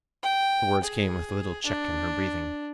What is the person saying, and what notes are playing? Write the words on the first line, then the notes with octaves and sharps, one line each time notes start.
The words came with a little check in her breathing.
G5
G#4
D4